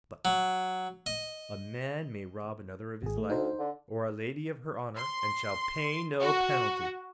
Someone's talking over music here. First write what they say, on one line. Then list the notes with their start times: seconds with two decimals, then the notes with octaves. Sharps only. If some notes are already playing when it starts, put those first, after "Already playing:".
But a man may rob another of his life, or a lady of her honor, and shall pay no penalty!
0.25 F#3
1.06 D#5
3.03 G#1 G#4
3.18 A3
3.30 D2 D#4 C5
3.59 D3
4.97 C6
6.21 F#4